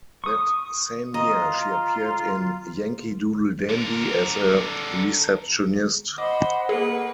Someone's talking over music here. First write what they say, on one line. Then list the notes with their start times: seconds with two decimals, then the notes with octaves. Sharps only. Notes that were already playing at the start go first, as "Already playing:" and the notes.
That same year, she appeared in "Yankee Doodle Dandy" as a receptionist.
0.24 C#6 D#6
1.14 F4 D#5 A#5
3.69 D3 A#4
6.18 C5 D#5 F#5 B5 D6
6.69 A#3 G#4 B4